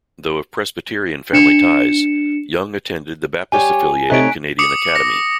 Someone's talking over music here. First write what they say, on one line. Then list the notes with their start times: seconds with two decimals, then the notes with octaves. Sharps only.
Though of Presbyterian family ties, Young attended the Baptist-affiliated Canadian Academy.
1.33 D4 C#7 E7
3.52 G3 G4 C#5 G#5
4.10 C3 A3 D#4 C#5 F#6 B6 D7
4.59 D6 D#6 C#7
4.95 A#6